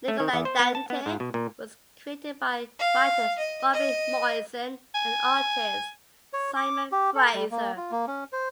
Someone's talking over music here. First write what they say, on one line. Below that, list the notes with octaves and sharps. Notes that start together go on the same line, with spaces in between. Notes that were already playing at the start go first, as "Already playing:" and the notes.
"Nikolai Dante" was created by writer Robbie Morrison and artist Simon Fraser.
A3
D#3
E2
C5
B3
A5
B3
G#2
B2
A#2
F5
D#5
D#5
G#5
C#5
D6
G4
A4
G3
A#3
F4
A#3
C#4
C5